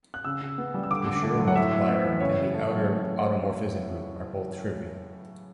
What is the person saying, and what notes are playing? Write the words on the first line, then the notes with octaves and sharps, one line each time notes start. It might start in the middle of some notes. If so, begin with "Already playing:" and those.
The Schur multiplier and the outer automorphism group are both trivial.
F#6
C#3 E6
C#3
B3
G3
E6
D3 D6
D3
A3
F#3
F#5
A2 E5
A2
B3
E3
C#3 C#5
C#3
A3
F#3